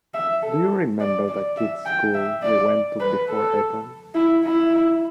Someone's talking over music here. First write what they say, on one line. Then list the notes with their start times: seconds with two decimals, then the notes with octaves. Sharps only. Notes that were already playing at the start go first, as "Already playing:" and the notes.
Do you remember that kids' school we went to before Eton?
0.14 E5
0.43 A4
1.00 D5
1.28 D5
1.57 E5
1.86 G5
2.14 E5
2.42 D5
3.00 B4
3.29 A4
4.15 E4
4.44 E4